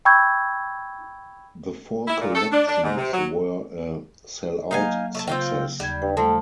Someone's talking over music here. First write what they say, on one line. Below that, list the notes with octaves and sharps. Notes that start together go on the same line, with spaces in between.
The four collections were a sell-out success.
G5 B5 C#6 E6 G6 G#6
E4
A#2
A4
D4
D4
G#2
C3
F#3
F#3 A#3 D#4 F5 G#5
A3 D5 A5
C#3 C4 F4 G5
D#2 G3 G#6
G2 G5
F3 G3 A3 A4